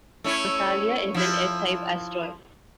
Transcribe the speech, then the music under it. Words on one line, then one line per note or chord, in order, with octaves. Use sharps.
Massalia is an S-type asteroid.
A3 C#4 E4
F3 E4